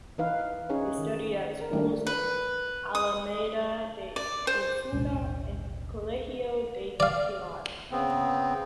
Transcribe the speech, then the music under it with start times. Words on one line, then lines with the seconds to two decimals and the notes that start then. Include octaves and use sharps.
They studied at the schools of Alameda de Osuna and Colegio del Pilar.
0.18 E3 D#4 B4 F5
0.70 C#4 D#4 G#4 C#5
0.98 D#3
1.61 A#4
1.73 D#3 G3 A3 D4
2.07 B4
2.95 D#6
4.16 D5
4.47 C5
4.93 A1 D#2 B2 G#3
7.00 D5 F5
7.92 C#3 B3 C4